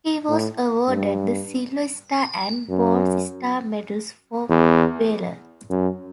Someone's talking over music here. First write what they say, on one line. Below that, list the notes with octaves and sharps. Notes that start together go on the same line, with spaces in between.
He was awarded the Silver Star and Bronze Star medals for valor.
A2
G2
F#2
E2
F#2